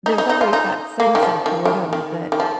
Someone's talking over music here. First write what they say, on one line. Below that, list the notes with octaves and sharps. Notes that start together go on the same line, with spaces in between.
there's always that sense of boredom that,
D#4
D#4
D#4
F4
D#4
A#3
D#3
F3
D#3
D#3
D#3
D#3
F3